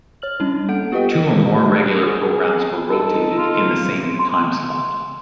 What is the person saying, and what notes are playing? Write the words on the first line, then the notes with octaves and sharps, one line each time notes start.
Two or more regular programs were rotated in the same time slot.
C#5 F6 F#7
G3 C#4 D4 E4
A#3 A4 F#5 G6 D7
B3 F4 G4 B4 D#5 G5
F#3
G#4
D#4 A4
F4
C6